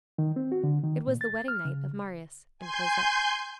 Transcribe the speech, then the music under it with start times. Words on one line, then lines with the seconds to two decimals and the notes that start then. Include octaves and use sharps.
It was the wedding night of Marius and Cosette.
0.18 D#3
0.36 C4
0.52 F#4
0.64 D3
0.83 D#3
1.07 A#2
1.21 A6
1.48 F6
1.65 C#3
2.58 G#5 C6 G6